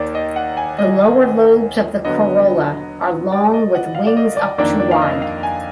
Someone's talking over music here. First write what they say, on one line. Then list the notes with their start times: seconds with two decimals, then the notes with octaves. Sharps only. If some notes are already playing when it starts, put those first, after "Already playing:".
The lower lobes of the corolla are long with wings up to wide.
Already playing: D#2 D#3 A#3 D#4 D5
0.15 D#5
0.36 F#5
0.57 G#5
0.78 D#5
2.05 D3 F#3 B3 D#5
3.32 D5
3.53 D#5
3.75 F#5
3.95 F5
4.07 D5
4.17 D#5
4.37 D5
4.58 F2 D#3 A#3 D4 D5
4.80 D5
4.91 F5
5.01 D#5
5.22 F5
5.43 G#5